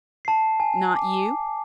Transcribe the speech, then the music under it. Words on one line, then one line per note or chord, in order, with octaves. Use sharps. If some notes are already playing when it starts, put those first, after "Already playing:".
"Not you?"
A5 C7
G#5
D6